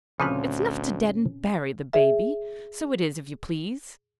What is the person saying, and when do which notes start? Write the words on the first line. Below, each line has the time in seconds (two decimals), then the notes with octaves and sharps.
"It's enough to dead and bury the Baby, so it is if you please."
0.20 D2 A#2 C#3 F3 C4 C#4 B4 F5
1.93 G#4 E5